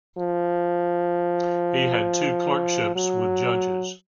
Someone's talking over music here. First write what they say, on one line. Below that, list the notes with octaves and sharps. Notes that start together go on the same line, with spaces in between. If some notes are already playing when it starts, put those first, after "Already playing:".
He had two clerkships with judges.
F3
F#3